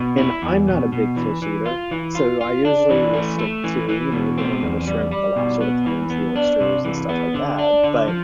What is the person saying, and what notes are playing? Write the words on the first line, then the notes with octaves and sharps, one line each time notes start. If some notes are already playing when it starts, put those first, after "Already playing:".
and I'm not a big fish eater, so, I usually will stick to, you know, the normal the shrimp, the lobster, the clams, the oysters, and, stuff like that, but,
Already playing: B2
E4
E2
B2
B2
E3
E3
F4
E3
F4
F4
D4
E3
A3
A3
E3
E3
B2
C4
E2
G3
G3
B2
B3
E3
B3
D4
C3
E3
B3
D3
D4
D3
F3